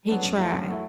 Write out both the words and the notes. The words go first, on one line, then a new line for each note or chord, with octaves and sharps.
He tried,
F#3 B3 D4
F#2
F#3 A3 E4
F#2
F#3 A3 E4